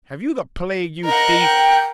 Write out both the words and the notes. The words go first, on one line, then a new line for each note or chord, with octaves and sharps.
Have you the plague, you thief?
A#4 D#5 F#5
G5